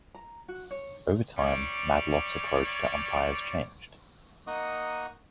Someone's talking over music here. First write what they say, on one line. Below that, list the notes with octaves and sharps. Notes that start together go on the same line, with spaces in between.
Over time, Madlock's approach to umpires changed.
A#5
F#4
C#5
G3 C#5 D5
A#3 D#4 D#5 F#5 C#6 D#6